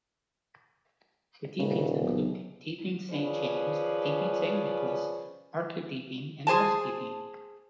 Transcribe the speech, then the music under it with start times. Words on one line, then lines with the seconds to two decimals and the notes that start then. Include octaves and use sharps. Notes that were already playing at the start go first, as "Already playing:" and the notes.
The Deepings include: Deeping Saint James, Deeping Saint Nicholas, Market Deeping and West Deeping.
1.59 D#1 C#3
2.01 B1
3.11 F3 C#4 G#4 B4 D5
6.47 G#4 C5 G#5 A5